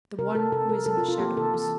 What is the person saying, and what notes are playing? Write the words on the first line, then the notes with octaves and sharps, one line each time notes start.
The One who is in the shadows.
C3 A#4
C3 A4
C3 A4
C3 A#4
C3 A4
F4
C3
F4
A#3 G4
C3 A4
E3 A4